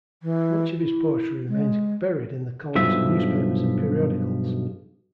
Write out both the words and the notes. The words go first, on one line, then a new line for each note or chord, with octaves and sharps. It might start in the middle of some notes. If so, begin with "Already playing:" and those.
Much of his poetry remains buried in the columns of newspapers and periodicals.
E3
E4
G#3
B1 G2 F3 E5